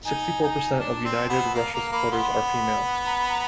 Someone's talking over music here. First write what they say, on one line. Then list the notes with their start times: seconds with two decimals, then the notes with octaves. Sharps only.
Sixty-four percent of United Russia supporters are female.
0.04 D#4 G#5
0.42 D#4
0.79 D4 A5
1.05 C4
1.29 B3
1.54 A#3 A#5
1.73 A#3 A#5
1.92 A#3 B5
2.11 B3 C6
3.06 A#5
3.16 B5
3.28 A#5